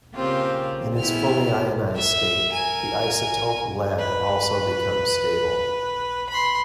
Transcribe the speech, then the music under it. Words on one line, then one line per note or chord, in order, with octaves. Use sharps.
In its fully ionized state the isotope Pb also becomes stable.
C#3 A#3 C4 F4 G4
B2 E4 G#4 G5 F6
E5
A#4 G#5
B4
B5 C6